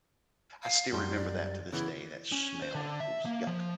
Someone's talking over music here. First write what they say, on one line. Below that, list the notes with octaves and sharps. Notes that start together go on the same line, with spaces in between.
I still remember that to this day, that smell was yuck.
F5
F#2 G3 C6
D5
C#3 E3 B3 E4
C#4
C5
D3
E5
A#3
F3